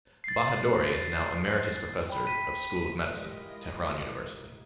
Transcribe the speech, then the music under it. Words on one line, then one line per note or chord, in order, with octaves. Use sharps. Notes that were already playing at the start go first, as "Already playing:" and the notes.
Bahadori is now Emeritus Professor of School of Medicine, Tehran University.
A6 C7
G5 B5
B6 D#7
G#3 E4 F4 G4 A#4 D#5